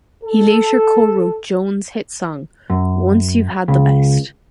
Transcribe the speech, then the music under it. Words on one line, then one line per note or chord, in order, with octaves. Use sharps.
He later co-wrote Jones' hit song Once You've Had the Best.
A4
F#2
C#2